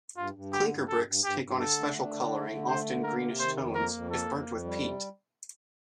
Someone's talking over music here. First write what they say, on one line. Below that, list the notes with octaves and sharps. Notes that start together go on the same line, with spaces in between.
Clinker bricks take on a special colouring, often greenish tones, if burnt with peat.
G2 F4
G2
D3 G4
G2
G2 A4
G2
G2 G4
G2
D3 A4
A3
D4
D3
A3
D3
A3 C5
D3
A#3 A#4
C3
D#3 C5
F2
A#3 A#4
F2
A#3 A4
F2
F2
G3
C3